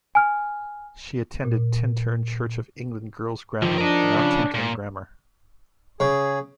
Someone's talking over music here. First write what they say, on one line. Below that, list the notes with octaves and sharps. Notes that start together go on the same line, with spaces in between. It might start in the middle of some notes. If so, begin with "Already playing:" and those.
She attended Tintern Church of England Girls' Grammar, now Tintern Grammar.
G#5 F6
A#2
D3 D#3 F3
D4 A#4 D#5
C#3
A#2
C#3 G#4